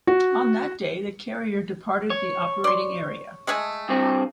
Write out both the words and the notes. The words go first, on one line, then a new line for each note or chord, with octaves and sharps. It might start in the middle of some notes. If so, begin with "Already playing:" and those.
On that day, the carrier departed the operating area.
F#4
C#5
D5 C6
G#3 A3 G#4
G2 C4